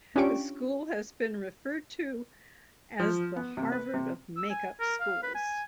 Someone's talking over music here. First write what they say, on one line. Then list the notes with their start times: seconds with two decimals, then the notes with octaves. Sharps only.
The school has been referred to as "the Harvard of make-up schools".
0.16 C#4 D4 F4 G4 C#6 D7
3.00 F3
3.36 B3
3.57 C3
3.72 B4
3.94 C3
4.37 E6
4.50 G#5
4.80 A#4
5.01 F5
5.23 B4
5.35 G#5